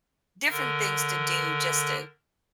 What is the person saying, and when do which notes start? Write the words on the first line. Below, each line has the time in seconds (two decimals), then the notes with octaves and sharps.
different things to do just to
0.49 D3 A#4